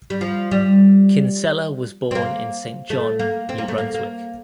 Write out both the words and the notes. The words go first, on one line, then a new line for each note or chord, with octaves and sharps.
Kinsella was born in Saint John, New Brunswick.
G3
F3
G3
C4
A#3
A3
A#3
C4
A#3
A3
A#3
A#3